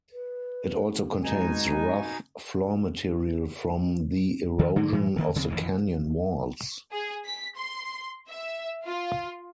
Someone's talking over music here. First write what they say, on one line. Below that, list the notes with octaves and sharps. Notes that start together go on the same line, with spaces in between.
It also contains rough floor material from the erosion of the canyon walls.
B4
B2 G#3 D#4 G#5
D2 D#3
D3 F#3 G#3 A#3
A2 E3 F#3
D2 D#3 A#3
D#2 C#3 F3 C4
A1 F2 D#3 E3
G#4
B6
C6
E5
F4